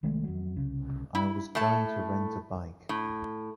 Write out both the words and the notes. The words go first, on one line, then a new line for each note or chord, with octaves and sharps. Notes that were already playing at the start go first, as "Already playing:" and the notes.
I was going to rent a bike.
C2 D#3 G#3 A3
F2 F#3
C2 C#3
E4
A2 A3 A5
A2